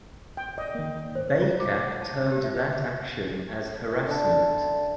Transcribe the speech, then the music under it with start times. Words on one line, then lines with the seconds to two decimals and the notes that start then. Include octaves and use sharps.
Baker termed that action as harassment.
0.37 G5
0.58 D5 D#5 G6
0.75 D#3 A#3
1.15 C5
1.28 C5
1.42 A#5
1.60 D6
1.72 F#5
1.84 F#5
2.02 A5
2.32 G4
2.44 E5
2.55 B4
4.07 D3 E5 A5